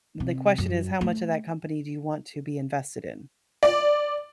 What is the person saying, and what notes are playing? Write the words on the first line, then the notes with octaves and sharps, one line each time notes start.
the question is how much of that company do you want to be invested in?
C3
F#2
A3
D5